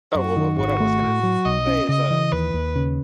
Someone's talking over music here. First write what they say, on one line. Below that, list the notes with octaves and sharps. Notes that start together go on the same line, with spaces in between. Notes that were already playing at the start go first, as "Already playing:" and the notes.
Oh, well, what what I was gonna s say is, uh,
F#2 F#4
D#3
G#1 F#4
A3
A2
F#3
B1 D#5
C#4
C#3 D#5
E3
D#2 B4
D#2
C#3